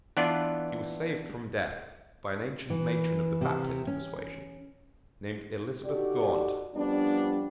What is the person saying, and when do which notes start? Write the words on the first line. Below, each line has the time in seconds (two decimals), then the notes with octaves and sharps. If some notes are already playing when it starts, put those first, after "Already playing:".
He was saved from death by an ancient matron of the Baptist persuasion, named Elizabeth Gaunt.
0.17 E3 B3 D4 F4 D5
2.70 E3
3.41 C3
3.87 C#4
5.85 D#4 F#4 G4 A4 D5
6.75 F3 G3 B3 C#4 D4